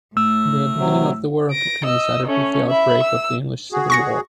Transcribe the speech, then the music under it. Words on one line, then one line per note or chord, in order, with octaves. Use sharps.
The beginning of the work coincided with the outbreak of the English Civil War.
A2 A3 E6
C3 F#3
A#6 D7
D#5 E6
A3 C#4
E5 B5
E6
F#4 G#4
C#6 A#6 C#7